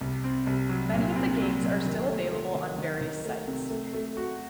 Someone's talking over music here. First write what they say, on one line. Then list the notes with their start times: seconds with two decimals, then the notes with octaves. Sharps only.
Many of the games are still available on various sites.
0.01 C2
0.24 C4
0.47 C2
0.69 F#3
0.94 A#2
1.16 C4
1.39 F#3
1.62 A#2
1.85 D#3
2.09 A3
2.32 A3
2.55 D#3
2.78 D#3
3.01 D#3
3.25 A3
3.48 C3
3.70 A3
3.93 A3
4.17 F#4